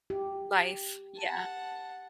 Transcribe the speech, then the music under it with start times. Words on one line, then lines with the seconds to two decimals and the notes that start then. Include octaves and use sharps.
Life. Yeah.
0.10 G4
1.18 F#5 A5